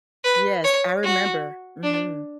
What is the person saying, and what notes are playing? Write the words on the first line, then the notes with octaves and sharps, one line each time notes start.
Yes, I remember. Mhm.
B4
C#5
F#4
D4